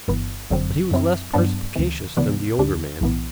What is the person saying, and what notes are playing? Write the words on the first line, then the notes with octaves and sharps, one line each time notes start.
But he was less perspicacious than the older man.
G1 G2 E3 B3
G1 F#2 D3 F#3 C4
F#2 F#3 C4 E4
G2 F#3 B3 D4
D2 C3 E3
D2 C3 E3 B3 D4
D2 D3 G3 D4
B1 A2 E3 B3